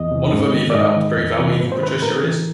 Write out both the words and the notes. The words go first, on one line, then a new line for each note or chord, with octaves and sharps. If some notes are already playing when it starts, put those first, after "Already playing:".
One of them even helped prove how evil Patricia is.
Already playing: E2 D#5
C3 E3
G#2
D#3
D5
G#2 D#5
D#3
F2
C3 E3
G#2 B4
C5
D#3 B4
A2 A#4
E3